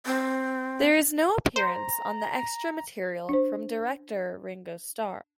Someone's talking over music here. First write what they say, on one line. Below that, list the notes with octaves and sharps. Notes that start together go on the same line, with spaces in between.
There is no appearance on the extra material from director Ringo Starr.
C4
C5 A#5
D4 C5